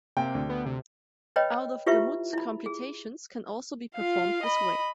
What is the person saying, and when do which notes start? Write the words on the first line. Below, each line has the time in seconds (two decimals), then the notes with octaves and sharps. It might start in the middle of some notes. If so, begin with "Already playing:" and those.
Out-of-gamut computations can also be performed this way.
0.17 C3 A#3 G5
0.35 D2
0.49 B3
0.66 C3
1.36 B4 C#5 D#5 G5 B5
1.86 E4 F4 G4 B4 E5 C#6
2.33 E4 B5
2.66 G#4
3.95 F4 F5
4.43 D#5 B5